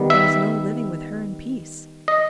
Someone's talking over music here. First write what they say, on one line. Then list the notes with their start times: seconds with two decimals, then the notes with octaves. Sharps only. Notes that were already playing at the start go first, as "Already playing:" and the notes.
There was no living with her in peace.
Already playing: D#3 G3 B3
0.10 E5
2.08 D#5